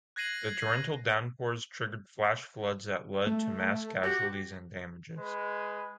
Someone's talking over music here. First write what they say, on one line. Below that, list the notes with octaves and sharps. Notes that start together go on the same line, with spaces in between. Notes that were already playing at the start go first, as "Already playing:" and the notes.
The torrential downpours triggered flash floods that led to mass casualties and damages.
F#6 G#6 A#6 C7 D#7 F#7
A3
F#4 G4
G#3 B4